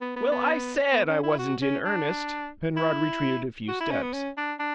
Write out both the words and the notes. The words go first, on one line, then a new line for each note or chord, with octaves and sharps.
"Well, I SAID I wasn't in earnest!" Penrod retreated a few steps.
B3
B3
B3
B3
C#4
E4
F#4
C#4
D4
E4
F#4
E4
C#4
B3
C#4
D4
D4